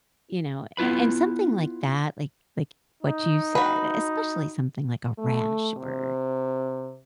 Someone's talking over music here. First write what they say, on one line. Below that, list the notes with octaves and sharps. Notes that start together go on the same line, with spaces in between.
you know? A and, something like that, like like what you said, especially something like a rash or
B3 E4 F4 B4 B5
D#4
F#4 B4
A3
C3